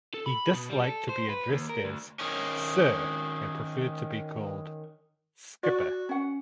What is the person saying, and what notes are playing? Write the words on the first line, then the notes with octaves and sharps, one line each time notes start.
He disliked to be addressed as "Sir" and preferred to be called "Skipper".
A4
B5
B2
G3
A4
C5
B4
D#2
A#4
D2
D#3 C#4
F#4 D5
C#4 F#5